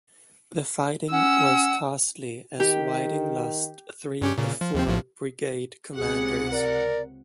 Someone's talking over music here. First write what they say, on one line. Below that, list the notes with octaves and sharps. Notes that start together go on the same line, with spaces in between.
The fighting was costly as Whiting lost three of four brigade commanders.
C#4 F#5 E6
D#3 G4
G2 C#4 G4
A#2 C#3
F3
D#2 F3 C4
A#1 A2 F3
C#2 C3 G#4 F#5
A#4 D5